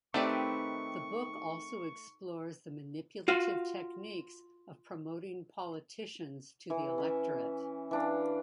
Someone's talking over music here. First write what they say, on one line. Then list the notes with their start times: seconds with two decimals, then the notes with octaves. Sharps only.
The book also explores the manipulative techniques of promoting politicians to the electorate.
0.14 D#3 A3 C4 D#4 G4 B4 D5 C#6
3.28 F4 F#4 F5
6.70 E3
6.98 C#4 E5
7.91 E3 D4 F5